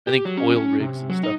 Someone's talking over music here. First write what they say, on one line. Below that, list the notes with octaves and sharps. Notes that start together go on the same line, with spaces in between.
I think oil rigs and stuff,
G4
F#3
C#4
C#4
C3
F#3
D#4